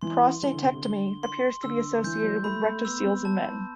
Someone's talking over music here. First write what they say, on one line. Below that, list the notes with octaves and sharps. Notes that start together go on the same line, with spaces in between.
Prostatectomy appears to be associated with rectoceles in men.
E3 C6
E3 G7
D3
C3
D3
G7
C6
D3 E6
D3
E3 G6
F#3
G3
A3 B5
A3
B3 E6
C4
B3
A5